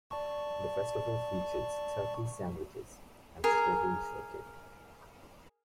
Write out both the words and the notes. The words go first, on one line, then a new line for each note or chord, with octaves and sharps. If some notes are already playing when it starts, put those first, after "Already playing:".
The festival features Turkey sandwiches and Strawberry Shortcake.
D5 A5 C#6
G#4 A#4